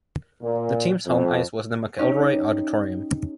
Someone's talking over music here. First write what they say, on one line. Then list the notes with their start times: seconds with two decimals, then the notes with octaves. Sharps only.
The team's home ice was the McElroy Auditorium.
0.42 A#2
1.06 F2
1.99 C#4 D#4 G4